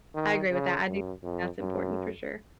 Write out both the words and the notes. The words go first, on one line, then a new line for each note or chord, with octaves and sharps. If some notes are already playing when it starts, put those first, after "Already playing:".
I agree with that, I do that's important for sure.
D#3
C#3
F#2
F2
F#2